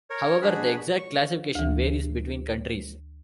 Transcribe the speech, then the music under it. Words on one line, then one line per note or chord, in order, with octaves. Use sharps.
However, the exact classification varies between countries.
A#4 C#5
D4 F#4 G#4 B5
C#6
D2 E3